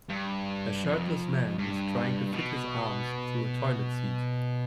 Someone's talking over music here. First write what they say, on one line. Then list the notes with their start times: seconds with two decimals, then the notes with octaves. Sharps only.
A shirtless man is trying to fit his arms through a toilet set.
0.10 G2
0.84 F2
1.58 G2
2.32 B2